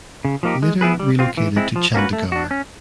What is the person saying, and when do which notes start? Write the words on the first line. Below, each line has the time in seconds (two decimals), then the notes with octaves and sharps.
Later relocated to Chandigarh.
0.25 C#3
0.43 F3 A#3 D#4 G4
0.62 G#3
0.81 B3 E4 G#4 B4
1.00 G3
1.19 C4 F4
1.37 E3
1.56 G#3 C4 E4
1.76 F3
1.94 A#3 C#4 F#4 B4
2.13 A3
2.32 D4 F#4
2.51 C#4